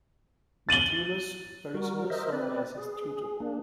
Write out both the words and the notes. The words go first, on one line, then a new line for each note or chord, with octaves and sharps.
Matheolus Perusinus served as his tutor.
A6 D#7 F#7 G7
G3 F#4 A#4
A#4 C5 D#5 E5
C4 B4 D5
G#4
A#3 D4